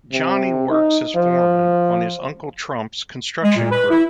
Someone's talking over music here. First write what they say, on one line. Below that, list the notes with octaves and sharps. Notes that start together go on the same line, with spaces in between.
Johnnie works as foreman on his uncle Trump's construction crew.
C3
D#4
F3
G#3
A#2
B4
E4